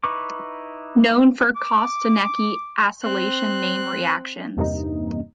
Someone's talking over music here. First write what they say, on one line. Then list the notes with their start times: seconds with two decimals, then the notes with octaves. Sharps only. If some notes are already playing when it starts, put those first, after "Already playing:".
Known for Kostanecki acylation name reactions.
0.04 D#4 E4 B4 C#6 D6
1.56 D6
3.03 C4 F#6
4.57 E2 G2 C3 A#3 D#4